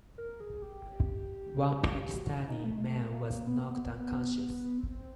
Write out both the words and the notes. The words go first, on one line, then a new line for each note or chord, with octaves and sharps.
One Pakistani man was knocked unconscious.
A#4
G#4
G4
F#4
E4
D#4
A3
G#3
A3
A#3
B3
A#3
B3
C4